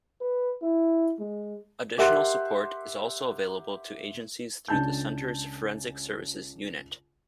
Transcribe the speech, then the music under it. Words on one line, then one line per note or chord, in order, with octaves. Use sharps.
Additional support is also available to agencies through the Center's Forensic Services Unit.
B4
E4
G#3
G4 A#4 E5 F#5 C6 F#6
C#2 D4 A5 G6